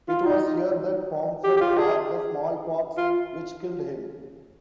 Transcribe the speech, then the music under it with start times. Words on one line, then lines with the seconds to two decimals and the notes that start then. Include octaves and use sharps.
It was here that Pomfret caught the smallpox which killed him.
0.09 F4
0.26 D#4
1.44 G4
1.56 G4
1.61 F4
1.77 G#4
2.97 F4